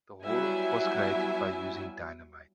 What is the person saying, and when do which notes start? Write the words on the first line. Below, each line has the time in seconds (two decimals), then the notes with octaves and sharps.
The hall was created by using dynamite.
0.23 F#3 G3 B3 E4 E5 G#5